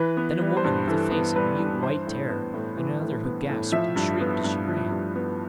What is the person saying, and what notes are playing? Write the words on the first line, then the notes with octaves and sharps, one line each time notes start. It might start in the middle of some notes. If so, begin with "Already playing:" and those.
Then a woman with a face of mute white terror, and another who gasped and shrieked as she ran.
Already playing: E3 B4
B3
G3
C5
G2
E3 A4
B3
G3 B4
G2
E3 C5
A2
B3
A2
E3
A2
B3
A2
F3 E5
G2
B3
G2
F3
G2
B3